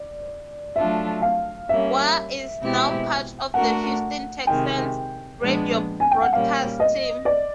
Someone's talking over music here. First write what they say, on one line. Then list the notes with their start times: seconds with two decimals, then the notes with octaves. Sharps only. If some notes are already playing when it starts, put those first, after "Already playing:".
Ware is now part of the Houston Texans' radio broadcast team.
Already playing: D5
0.76 F#3 A3 D4 F4 A4 E5
1.22 F5
1.69 G3 A#3 C#4 E5
2.61 B2 G#3 C4 E4 G4
3.54 A3 D4 F#4 A#4 F#5
4.47 C3 D#3 G#3 G5
5.40 A#2 F3 G#3 B3 D4
6.00 G#5
6.11 G5
6.22 F#5
6.33 A#2 G3 A#3 C#4 F5
6.80 D#5
7.25 D5